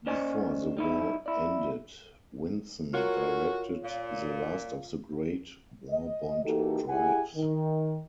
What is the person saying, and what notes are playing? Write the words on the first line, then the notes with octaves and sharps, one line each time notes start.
Before the war ended, Vinson directed the last of the great war-bond drives.
A#3 C#4 C5 D5 D#5 G#5
G3 D#4 E4
E4 D5
C#4 F4 F#4 A#4 C#5
A#2 F5
D#5
E3 A#3 D#4 F#4 G4 A4
E4 G4 G#4 F#5 G#5
D#3